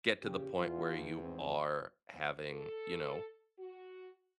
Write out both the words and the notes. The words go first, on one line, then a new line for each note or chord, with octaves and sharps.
get to the point where you are having, you know,
E2 A#2 C#3 G4
E2 F4
F2 G#2 C4
A4
F#4